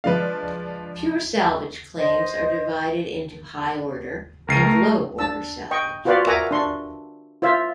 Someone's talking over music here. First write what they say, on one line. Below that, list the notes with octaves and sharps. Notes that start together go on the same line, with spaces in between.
Pure salvage claims are divided into "high-order" and "low-order" salvage.
F3 G#3 D4 B4 F5
C5 D#5
C#2 A#4 C7 D#7
A3
D4 A5 E6
D#5 G5 C#6
F4 F#4 B4 C5 D5 F5
A#4 E5 F#5 G#5 A#5 D6
D4 C6 C#6
F4 C5 E5 F5